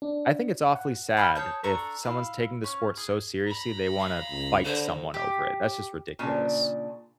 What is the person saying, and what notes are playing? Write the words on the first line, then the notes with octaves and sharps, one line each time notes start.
I think it's awfully sad if someone's taking the sport so seriously, they want to fight someone over it. That's just ridiculous.
D4
F#5
F5 B5 E6 F6
G#4 C#5 A5 G6
D4 A4 A#5 C#6
E4 F5
C#4
G#4
A#5 B5
F5
C#2
D3 C5
G4
A#2 C#3 D4